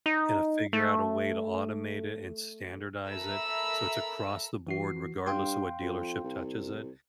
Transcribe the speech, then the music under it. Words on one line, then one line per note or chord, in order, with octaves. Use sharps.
and, uh, figure out a way to automate it and standardize it so it's across the board regardless of what dealership touches it,
D#4
A3
A4 A#4 E5 A#5 B5 E6
E3 F#4 C7
G2 F5 G5 C6
F2
C2